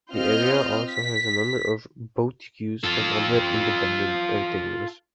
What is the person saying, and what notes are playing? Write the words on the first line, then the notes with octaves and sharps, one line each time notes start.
The area also has a number of boutiques and other independent retailers.
C4 F4 D#5 F6 G6
B6
F4 A4